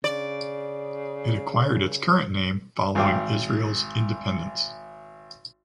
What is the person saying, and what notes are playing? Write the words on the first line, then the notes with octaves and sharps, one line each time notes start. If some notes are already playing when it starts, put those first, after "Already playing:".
It acquired its current name following Israel’s independence.
C#3 D5
G#1 F5 G5 D6